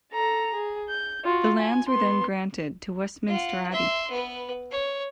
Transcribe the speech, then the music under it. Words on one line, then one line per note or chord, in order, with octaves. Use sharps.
The lands were then granted to Westminster Abbey.
A4 A#5
G#4
G6
F4 F#4
G#5
B3 C6
F4 F#5
E5 C6
B3 B4
C#5